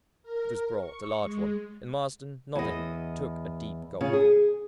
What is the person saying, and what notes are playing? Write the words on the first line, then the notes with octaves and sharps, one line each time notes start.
It was brought, a large one; and Marsden, nodding, took a deep gulp.
A#4
C#6
G#3
E2 D#5
C#3 C#4 F4
G#4